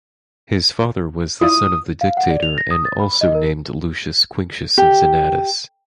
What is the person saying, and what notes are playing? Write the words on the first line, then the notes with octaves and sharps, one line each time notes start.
His father was the son of the dictator and also named Lucius Quinctius Cincinnatus.
E4 F4 D5 D#6
F5
F#5
D5
F7
A#6
D#6
A6
B5
D#5
A#4
G4